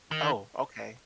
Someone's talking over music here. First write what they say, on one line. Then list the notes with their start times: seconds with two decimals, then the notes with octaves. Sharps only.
Oh, okay.
0.11 D#3